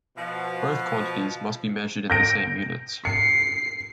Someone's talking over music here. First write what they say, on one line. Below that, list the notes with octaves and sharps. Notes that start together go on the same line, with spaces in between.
Both quantities must be measured in the same units.
B2 F3
G6 A#6 D7
C7 C#7